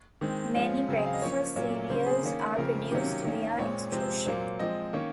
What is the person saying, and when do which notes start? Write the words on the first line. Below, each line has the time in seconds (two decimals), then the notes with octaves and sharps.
Many breakfast cereals are produced via extrusion.
0.21 D#3 G#3 C4
0.55 F3 G#3 C#4 F4
0.88 C#3 F#3 C4
0.97 G#4
1.06 F5
1.14 D#5
1.22 F3 A#3 C#4 C#5
1.56 A#2 F#3 A#3 C#4
1.90 C#3 F#3 A#3 C#4 C5
2.06 G#4
2.23 D#3 A#3 C#4
2.57 C#3 F3 C4 A#4
2.91 C3 D#3 F#3 A#3 C#4
3.25 D#3 A#3 C#4
3.58 A#2 G#3 C4 C#5
3.92 C3 F3 G#3 C4 C5
4.26 A#2 F#3 A#3 C5
4.59 F3 G#3 C4 D#5
4.93 D#3 A#3 C#4 C#5